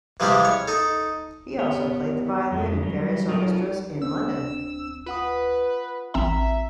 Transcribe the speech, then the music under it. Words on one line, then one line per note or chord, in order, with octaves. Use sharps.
He also played the violin in various orchestras in London.
C3 E3 F3 G3 G#3 G4
C#5
D#4 A4
B3 G4 C#5
F2 F3 G#3
F#3 G3
F#3 D#4 F4 F#4 A4 A#4
C4 D4 E6
F4 B4 F#5 D#6
A1 C4 E5 A#5